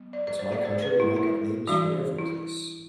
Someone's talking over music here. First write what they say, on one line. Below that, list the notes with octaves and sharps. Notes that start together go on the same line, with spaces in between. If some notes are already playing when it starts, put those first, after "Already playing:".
It's my country and I got names for every place.
Already playing: F#3 B3
D5
D5
C5
D5
C5
B4
E4
E4
E3 G3 D4 F#4
E4